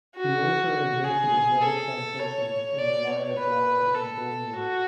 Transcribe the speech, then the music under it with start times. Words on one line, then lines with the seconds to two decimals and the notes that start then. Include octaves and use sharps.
He also invested in rubber plantations in Malaya, Java and Borneo.
0.16 F#4
1.04 G#4
1.62 A4
2.19 C#5
2.78 D5
3.07 C#5
3.36 B4
3.95 A4
4.53 F#4